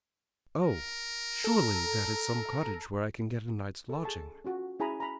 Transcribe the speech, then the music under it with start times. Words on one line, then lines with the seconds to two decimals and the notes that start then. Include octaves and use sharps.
"Oh. surely that is some cottage where I can get a night's lodging!"
0.64 A#4
1.44 A4 A#5
3.89 A4
4.03 G#4 A5 C#6
4.45 C#4 F4 F#4
4.79 C#4 E4 G#4 G#5 A#5 B5
5.00 A#5 B5